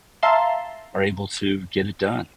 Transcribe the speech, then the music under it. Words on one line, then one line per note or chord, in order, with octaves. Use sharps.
are able to get it done.
E5 F5 A5 A#5 C6